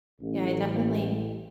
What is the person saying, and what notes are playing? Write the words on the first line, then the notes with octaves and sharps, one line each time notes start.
Yeah, I definitely
A1